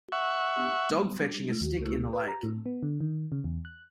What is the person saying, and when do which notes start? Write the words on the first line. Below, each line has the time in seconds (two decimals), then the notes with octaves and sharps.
Dog fetching a stick in the lake.
0.12 E5 F#5 C#6
1.61 D#2
1.79 C#2
2.13 B4
2.28 A#5
2.43 A2
2.66 B3
2.83 D3
3.00 D#3
3.32 C#3
3.44 E2
3.65 F#6